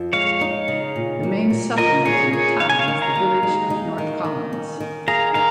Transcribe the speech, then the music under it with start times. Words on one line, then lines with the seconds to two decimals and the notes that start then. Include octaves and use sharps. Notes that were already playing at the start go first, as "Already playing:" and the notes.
The main settlement in the town is the village of North Collins.
Already playing: F2
0.13 G#3 C#5 F5
0.41 D#4
0.68 C#3
0.96 A#2
1.23 A#3
1.50 A#2
1.78 F4 A#4 D#5
2.05 A#2 G#4 C#5
2.32 A#3 G#4 C#5
2.60 D#4 F5
2.69 G#5
2.79 C#5 F5
2.88 D#3
3.02 F5 A#5
3.15 D#2
3.43 G#3
3.70 D#4
3.98 D#3
4.24 D#3
4.53 C#4
4.80 D#3
5.08 G#4 F5 A#5
5.34 D#3 F5 A#5